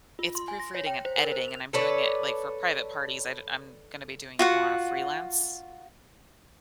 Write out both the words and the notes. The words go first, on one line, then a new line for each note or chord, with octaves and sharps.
it's proofreading and editing, and I'm doing it, like, for private parties. I'd I'm gonna be doing it more on a freelance
F4
C6
G#5
A#6
C#5
G5
C5
A#4
C5
F7
A4 B4 C#5 D5
F4 F#4 F#5